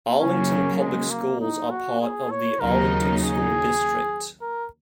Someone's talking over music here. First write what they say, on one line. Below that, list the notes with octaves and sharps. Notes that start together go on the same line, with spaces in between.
Arlington Public Schools are part of the Arlington School District.
C#3 F#3 A#3 C#4
G#3
A#3
D#4
F#4
G#4
C#5
D#2 C#3 F#3 D#4 A#4
G#4
A#4